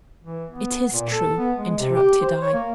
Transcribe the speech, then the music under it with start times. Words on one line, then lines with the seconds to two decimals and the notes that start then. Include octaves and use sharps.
'It is true,' interrupted I.
0.23 E3
0.50 B3
0.92 A#2
1.12 A4
1.37 B3
1.56 G#3
1.78 C3
1.95 G4
2.22 C5
2.42 C#5
2.53 A#3